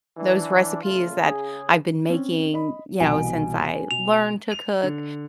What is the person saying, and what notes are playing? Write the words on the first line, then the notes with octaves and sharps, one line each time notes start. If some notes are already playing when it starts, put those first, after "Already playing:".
those recipes that I've been making, you know, since I learned to cook.
E3 D4
A#2 C#3 A3 F4
C#3 G#4
C4 C#4
D#5 B5
C2 B2 E3 G#5
B2 F7
F7
D3